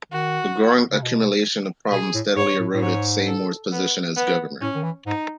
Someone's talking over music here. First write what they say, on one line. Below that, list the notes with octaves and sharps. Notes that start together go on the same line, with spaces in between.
The growing accumulation of problems steadily eroded Seymour's position as governor.
D#3 F#4
C#3
B2
B2 G#4
A2
G#2 C#5
A2
A2
G#2 C#5
A4
B3
B3
A2 C#4
D#3
E3
G#2 D#4